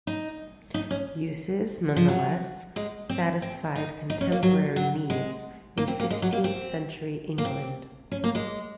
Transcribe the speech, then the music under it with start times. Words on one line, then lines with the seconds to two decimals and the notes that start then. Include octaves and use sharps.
Uses, nonetheless, satisfied contemporary needs in fifteenth century England.
0.07 D#4
0.74 D#4
0.91 C#4
1.96 F3
2.08 F#3
2.76 G#3
3.09 C4
3.42 C4
3.75 D#4
4.10 D#4
4.21 C#4
4.32 A#3
4.43 F#3
4.76 F#3
5.10 G#3
5.77 A#3
5.88 C4
6.00 A#3
6.10 G#3
6.22 F#3
6.33 A#3
6.44 C4
7.38 A#3
7.45 C4
8.11 C#4
8.24 A#3
8.35 G#3